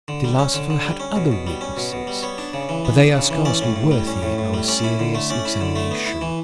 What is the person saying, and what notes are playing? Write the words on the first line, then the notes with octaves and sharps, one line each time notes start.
The philosopher had other weaknesses--but they are scarcely worthy our serious examination.
D3
G3
C#4
D3
D3
G3
C#4
B2
B2
G3
C#4
B2
B2
G3
B3 C#5
D4
C#3
E3
B3
D4
C#3
E3
C#4 D5
A2
A2
G3
C#4
A2
A2
G3
C#4 D5
E4
D3
A3
C#4 D5
E4
D3
A3
B3
E4
E3